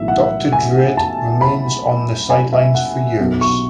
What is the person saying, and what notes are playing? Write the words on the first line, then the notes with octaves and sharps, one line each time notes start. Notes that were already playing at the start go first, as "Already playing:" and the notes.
Doctor Druid remained on the sidelines for years.
Already playing: B1 A2 E3 E5
F#5
G#5
A5
B5
G#5
E5
F#5
B1 B2
C#6